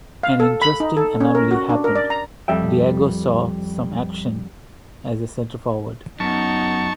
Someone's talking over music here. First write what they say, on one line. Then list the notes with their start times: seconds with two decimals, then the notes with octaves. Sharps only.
An interesting anomaly happened: Diego saw some action as a centre forward.
0.23 F5
0.40 A4
0.62 B5
0.80 D#4
0.97 A4
1.20 C#4
1.35 A#4
1.51 F#4
1.69 D4
1.84 A#4
1.96 D5
2.10 A#5
2.48 F2 G3 E5 G5
6.20 F#2 B3 D#4 A5 C#6